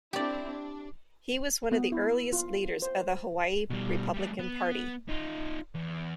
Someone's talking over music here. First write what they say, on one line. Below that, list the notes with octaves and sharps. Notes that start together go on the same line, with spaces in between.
He was one of the earliest leaders of the Hawaii Republican Party.
C4 D4 E4 G4 D5
D4
B3
E4
F4
C5
B2 G3
G3 A3
B3
D#4 F4
E2